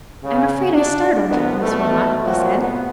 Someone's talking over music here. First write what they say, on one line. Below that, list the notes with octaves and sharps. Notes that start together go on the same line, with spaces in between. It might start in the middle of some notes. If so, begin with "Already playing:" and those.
"I am afraid I startled you, Miss Wilmot," he said.
C#3
D4
C2 B3
G#1 B2 A3
A#2 F3 F#3 C4 F#4
A2 C3 B3